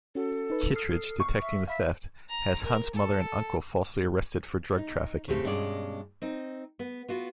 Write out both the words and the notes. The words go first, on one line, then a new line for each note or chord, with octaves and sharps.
Kittridge, detecting the theft, has Hunt's mother and uncle falsely arrested for drug trafficking.
C#4 F#4 A4
D#4 B4
D#6 F6 C7
C#6
E5
E5 F5 B5 B6
A#5
A#4
A4
D#4
A2 C#3 C4 G4 A4
G2 B2 G#3 C#4 D5
C4 D#4
B3
B3 F4 F#4